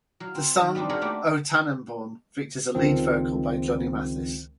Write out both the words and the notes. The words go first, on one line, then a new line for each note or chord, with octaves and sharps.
The song "O Tannenbaum" features a lead vocal by Johnny Mathis.
F#3 F5
C4
D#3 F#4
G3 B3 C4 D4 D#4
B3 F#4 G#4 A#4 F5 F#5
A3 A#3 G4 D5 F#5 C6
C#2 D#3 F3 C4